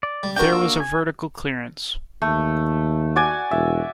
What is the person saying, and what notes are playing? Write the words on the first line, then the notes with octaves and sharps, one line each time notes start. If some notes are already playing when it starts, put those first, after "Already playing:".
There was a vertical clearance.
D5
G3
D4 F#4 A#4 G5
A#3 E6
G#5
D#2 A3
F#4 D5 G#5
E1 E5